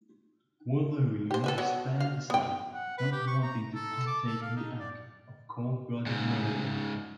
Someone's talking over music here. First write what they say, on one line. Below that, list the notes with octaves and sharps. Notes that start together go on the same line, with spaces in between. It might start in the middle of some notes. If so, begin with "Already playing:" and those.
Wolverine spared his life, not wanting to partake in the act of cold-blooded murder.
G4 C5
A4 B4 E5
F#3 B3 F#4
F5
B3 G5
F#5
B4
G4
C#6
A#5
A4
D6
A4
F5
D#4
D5
G#2 C#3